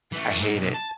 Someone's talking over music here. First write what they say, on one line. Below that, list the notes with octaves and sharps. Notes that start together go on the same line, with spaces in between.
I hate it.
E3 A3
G#2
B1 G#2
A5